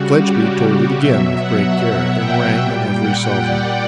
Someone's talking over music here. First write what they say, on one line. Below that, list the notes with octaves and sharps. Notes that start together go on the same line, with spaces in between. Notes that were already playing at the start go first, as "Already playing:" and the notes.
Fledgeby told it again with great care, and rang every sovereign.
Already playing: C#3 G3 F#4
G4
B2 F#3 E5
F#5
G5
A#2 G3
F#5
D5